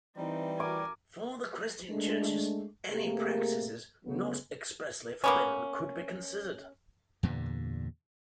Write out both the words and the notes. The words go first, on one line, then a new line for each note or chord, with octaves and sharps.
For the Christian Churches, any practices not expressly forbidden could be considered.
E3 G3 C4 D#4
A#4 G#5 D6
G#3 A3 D4
C3 A3 A#3 G4 G#4 A#4
D2 C#3 F#3 A3 B3
A#3 B3 C#4
E2 G2 A#2 D3